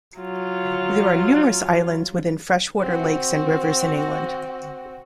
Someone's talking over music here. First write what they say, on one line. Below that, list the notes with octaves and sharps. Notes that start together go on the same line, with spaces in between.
There are numerous islands within freshwater lakes and rivers in England.
F#3 F4
C4 F#4